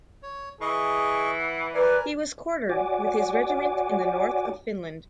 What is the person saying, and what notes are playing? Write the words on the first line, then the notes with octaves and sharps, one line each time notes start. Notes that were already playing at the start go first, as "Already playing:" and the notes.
He was quartered with his regiment in the north of Finland.
C#5
E3 G#4 D#5 C#6
F#5
A#4 B4 D5 G#5
F#4 C#5 D5 F#5 G#5 D6